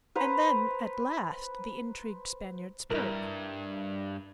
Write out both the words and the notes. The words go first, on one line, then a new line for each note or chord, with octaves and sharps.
And then, at last, the intrigued Spaniard spoke.
B4 C5 A#5
C2 G2 E4 A#4